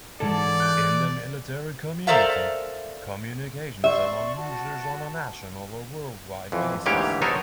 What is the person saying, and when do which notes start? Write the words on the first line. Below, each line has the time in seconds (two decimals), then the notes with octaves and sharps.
In the military community, communications among users on a national or worldwide basis.
0.20 G#2 E3 G#4 A4 D5 A5
0.60 F#6 G6
2.07 A4 A#4 C5 D5 E5 F5
3.84 D5 E5 C6 C#6
4.36 F#4 A5
6.52 F2 E3
6.86 D2 G#2 E3 A#3 G4 C#5
7.22 B3 D#4 A4 A#4 C5 C#5